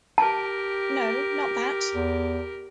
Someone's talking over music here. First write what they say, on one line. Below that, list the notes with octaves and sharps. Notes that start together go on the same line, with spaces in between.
No, not that!
G4 A#4 A5
E2